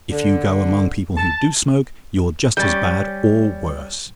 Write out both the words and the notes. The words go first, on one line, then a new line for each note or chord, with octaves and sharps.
If you go among people who DO smoke, you're just as bad, or worse.
D3
A5
G3 C#4 G6 A6